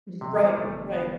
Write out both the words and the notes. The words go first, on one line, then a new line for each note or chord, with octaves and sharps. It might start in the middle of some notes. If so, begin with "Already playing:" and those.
Ye right, right.
E2 C3
F3
G3
E1 A3
D3
E2 B3